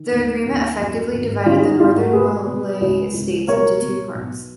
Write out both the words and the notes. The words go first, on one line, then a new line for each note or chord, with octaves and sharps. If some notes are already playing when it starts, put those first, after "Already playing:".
The agreement effectively divided the northern Malay states into two parts.
Already playing: D#3
D#2
D#2
F#2
G#1
D#3 C#4 F4
G#4
D#4 F#4
G#1 F4 G#4
F#4 A#4
B2 G#4 B4
B2
C#2
C#2
B2 A#4 C#5
B2
B1